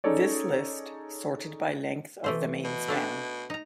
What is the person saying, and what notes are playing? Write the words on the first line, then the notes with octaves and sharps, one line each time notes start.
This list sorted by length of the main span.
C#4 D#4 G#4 A4 C#5 D5
E3 A3 C5
B2
A3 D4 A5
D#4 A#5